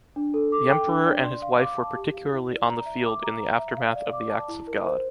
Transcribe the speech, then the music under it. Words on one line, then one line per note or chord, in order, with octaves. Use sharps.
The emperor and his wife were particularly on the field in the aftermath of the acts of god.
D4
A4
D6
G5
D4
D5
C6
F5
D6
A5
G4
F5
E4
D5
A#5
E5
D6
A#5
A#5
E5
F5
D5
D6
A5
E4
A#4
C5